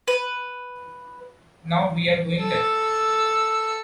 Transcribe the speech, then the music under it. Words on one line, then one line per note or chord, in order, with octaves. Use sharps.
Now we're doing that.
B4
A4 E6